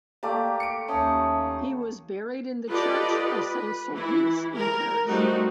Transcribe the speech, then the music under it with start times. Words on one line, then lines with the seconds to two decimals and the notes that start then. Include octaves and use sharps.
He was buried in the Church of S. Sulpice in Paris.
0.23 A3 A#3 G4 D5
0.60 C#7 D7
0.88 D#2 C#4 E5 A5 D#6
2.69 F4 G4 A4 B4 D5 D#5
3.31 B4
3.93 E3 E4
4.54 A#4
5.07 G3 A3 C4 D#4 F#4